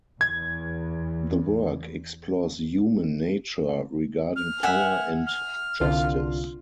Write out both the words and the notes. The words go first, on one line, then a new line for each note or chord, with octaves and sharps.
The work explores human nature regarding power and justice.
E2 G#6
F6
E5 F#5 G#5
F6
C2 D3 F4